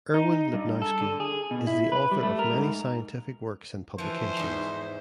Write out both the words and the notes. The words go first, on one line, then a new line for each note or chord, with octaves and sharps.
Irwin Lipnowski is the author of many scientific works and publications.
D#4
G2
A4
D3
G#4
B2
E4
B4
G3
A3
A#4
G#2
E3 F3 C5
E2 G#2